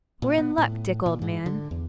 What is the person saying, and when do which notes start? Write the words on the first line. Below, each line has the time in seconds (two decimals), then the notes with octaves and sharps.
We're in luck, Dick, old man.'
0.22 A#2
0.38 B3
0.58 A2
1.06 A#2
1.22 G#2
1.46 D3
1.71 E2